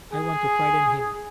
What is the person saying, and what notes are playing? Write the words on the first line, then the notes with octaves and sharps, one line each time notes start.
I want to frighten him.
G#4